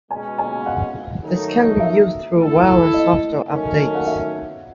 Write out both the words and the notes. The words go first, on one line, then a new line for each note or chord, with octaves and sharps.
This can be used through wireless software updates.
B2 G#3 C#4 G#5
G#5
F#5
D#3 F#3 A3 D#4
E5
A3 E4 A4
D#5
D#3 F#3 A3 C#4
F#5
E5